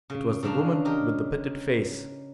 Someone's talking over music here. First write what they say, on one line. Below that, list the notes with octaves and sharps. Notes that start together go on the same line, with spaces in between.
It was the woman with the pitted face.
C#3
C#3 F3 D4 A#5
G4 A#4 D#5